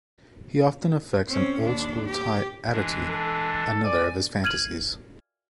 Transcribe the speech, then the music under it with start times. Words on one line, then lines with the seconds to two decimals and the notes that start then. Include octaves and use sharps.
He often affects an 'old school tie' attitude- another of his fantasies.
1.28 C4 C#4
1.60 D#2 D4
2.08 G4
2.72 E3 G#3 D4
3.09 A4
3.84 D5 G#5
4.44 F6 G#6 D#7 F#7